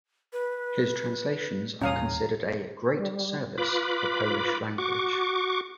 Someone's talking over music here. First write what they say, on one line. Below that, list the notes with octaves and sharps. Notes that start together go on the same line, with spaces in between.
His translations are considered a "great service" for Polish language.
B4
D#1 A2 G3 C#4 F5 A#5 D#6
G3
F4 B4 B5 D6
F#4 C#6 D6